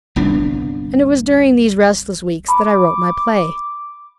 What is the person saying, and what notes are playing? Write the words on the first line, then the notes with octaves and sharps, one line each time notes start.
And it was during these restless weeks that I wrote my play.
G1 C2 B3 D4
B5 D6